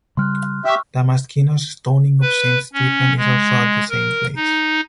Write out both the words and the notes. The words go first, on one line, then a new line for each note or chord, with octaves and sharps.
Damaskinos’s "Stoning of Saint Stephen" is also at the same place.
C#3 G3 C6 F6 F#6
G4 E5 C#6 E6
B4
C#4
G#3
A#4
D#4